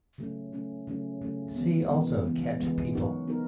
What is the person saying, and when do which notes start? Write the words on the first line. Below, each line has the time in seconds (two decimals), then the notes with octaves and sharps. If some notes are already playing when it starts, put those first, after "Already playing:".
See also Ket people.
0.18 C#3 F#3 A3 C#4
0.53 C#3 F#3 A3 C#4
0.87 C#3 F#3 A3 C#4
1.22 C#3 F#3 A3 C#4
1.56 C#3 E3 G#3 B3
1.90 C#3 E3 G#3 B3
2.24 C#3 E3 G#3 B3
2.59 C#3 E3 G#3 B3
2.93 F#3 B3 D#4 F#4 A#4
3.28 F#3 B3 D#4 F#4 A#4